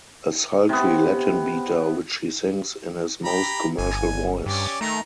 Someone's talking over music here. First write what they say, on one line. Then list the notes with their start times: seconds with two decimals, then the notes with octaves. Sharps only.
A sultry Latin beater which he sings in his most commercial voice.
0.69 C3 B3
3.25 G4 A#5 B5
3.78 G1 G#5
4.46 G2 C#4 G4 D5
4.81 D#3 A3 A#5